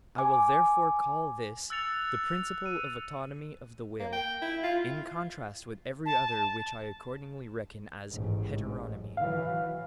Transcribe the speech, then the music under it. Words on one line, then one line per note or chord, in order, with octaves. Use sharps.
I will therefore call this the principle of autonomy of the will, in contrast with every other which I accordingly reckon as heteronomy.
G#5 D6
E6 F#6 A6 C#7 F7
D#7
A#3
G5
E4
F4
A5
A1 G#2
E3 F#3 F5